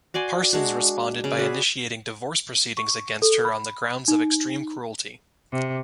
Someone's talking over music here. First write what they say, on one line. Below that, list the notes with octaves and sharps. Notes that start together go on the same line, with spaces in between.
Parsons responded by initiating divorce proceedings against her on the grounds of "extreme cruelty".
F#4 D5 G#5 C6
G#3 D4 F#4
C#3
F#4 G#4 B4 D5
C#6
A4
B5
D#4
C3